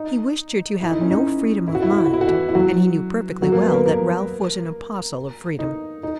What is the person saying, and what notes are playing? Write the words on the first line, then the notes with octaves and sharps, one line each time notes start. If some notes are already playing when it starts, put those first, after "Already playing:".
He wished her to have no freedom of mind, and he knew perfectly well that Ralph was an apostle of freedom.
Already playing: D#4
E4
D#4
C#4
D#4
E4
F#4
E4
F#4
E4
F#4
E4
F#4
E3 E4
E4
F#3 F#4
F#3 F#4
A#3 A#4
B3 B4
A#3 A#4
A#3 A#4
D#4
D#4